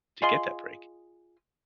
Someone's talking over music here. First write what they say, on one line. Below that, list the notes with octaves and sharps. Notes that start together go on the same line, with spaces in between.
to get that break?
F4 G#4 D#5 C6